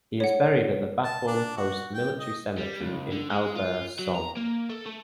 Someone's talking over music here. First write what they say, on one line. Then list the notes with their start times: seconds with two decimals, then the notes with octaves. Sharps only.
He is buried at the Bapaume Post Military Cemetery in Albert, Somme.
0.20 C#5 F#5
1.04 A5
1.27 D4
1.57 F#4
1.94 G5
2.19 D#5
2.58 G3
2.81 C#2
3.12 D3
3.30 G#3
3.55 F4
3.99 F#3
4.15 A#5
4.37 A#3
4.70 A4
4.86 A3